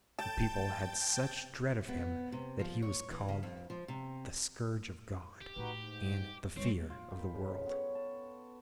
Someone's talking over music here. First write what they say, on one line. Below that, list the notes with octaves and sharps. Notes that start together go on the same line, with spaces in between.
The people had such dread of him that he was called the "Scourge of God" and the "Fear of the World."
G5 A5 G6 A6
B3
C3
F3
C#5
E3
C#3
F2
F3
C3
G4
A2 D#4 F#4 B4
G#2
E2 E3 G3 C4 C#5
F4
D#3 A4 G5 B5
C#3
B3 C#5
A5